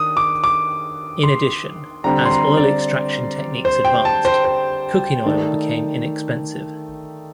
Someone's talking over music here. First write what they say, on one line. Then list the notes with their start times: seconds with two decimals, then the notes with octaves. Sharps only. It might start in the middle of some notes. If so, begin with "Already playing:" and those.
In addition, as oil extraction techniques advanced, cooking oil became inexpensive.
Already playing: D#3 D4 D#6
0.17 D6
0.44 D6
1.24 C6
2.04 D3 G3 C4 A#5
2.25 C6
2.31 A#5
2.57 D5
3.65 C5
3.85 G5
4.05 A5
4.25 C5
4.45 C5
5.25 D#3 A3 D#4 D5